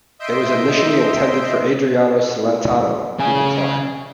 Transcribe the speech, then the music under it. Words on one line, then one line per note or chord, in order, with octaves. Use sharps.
It was initially intended for Adriano Celentano, who declined.
D#5 E5 C6 G6 D7
C#3 G#5